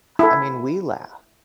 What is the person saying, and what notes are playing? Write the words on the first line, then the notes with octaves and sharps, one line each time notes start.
I mean, we laugh,
E4 A4